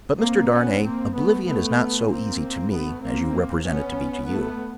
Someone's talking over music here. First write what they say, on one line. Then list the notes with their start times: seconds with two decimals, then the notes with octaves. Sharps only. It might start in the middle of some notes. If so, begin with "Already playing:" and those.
But, Mr. Darnay, oblivion is not so easy to me, as you represent it to be to you.
0.18 A#3 C4
0.50 B3 C#4
0.81 A#3 C4
1.12 A3 B3
1.44 A3 B3
2.06 A#3 C4
2.70 A3 B3
3.00 A#3 C4
3.63 B3 C#4
4.25 A3 B3